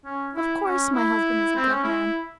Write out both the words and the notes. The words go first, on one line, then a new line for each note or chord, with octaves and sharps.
Of course, my husband is a good man.
C#4
E4
C#4
E4
C4
C#4
E4